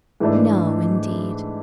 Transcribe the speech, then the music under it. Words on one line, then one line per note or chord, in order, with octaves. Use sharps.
"No, indeed."
G#2 E3 A3 D4